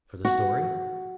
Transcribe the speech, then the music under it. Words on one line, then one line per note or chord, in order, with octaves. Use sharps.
For the story?
F#4